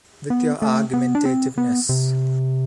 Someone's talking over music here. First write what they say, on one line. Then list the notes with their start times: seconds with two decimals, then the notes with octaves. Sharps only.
With your argumentativeness.
0.30 B3
0.62 A3
0.94 B3
1.15 D4
1.25 C4
1.58 B3
1.89 C3